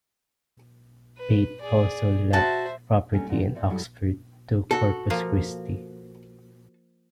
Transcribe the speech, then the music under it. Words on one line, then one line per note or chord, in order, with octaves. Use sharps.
Pate also left property in Oxford to Corpus Christi.
B4
G#4 D5
F#4 C5 E5 A5
F#3 G3 A3 A#3 C4 C#4
A#2 F#3 G#3 D4 D5
B3 G4
A3 C4 D5
F#2 F#3 G3 E4 A4 F#5
F#4 A4
F3 A#3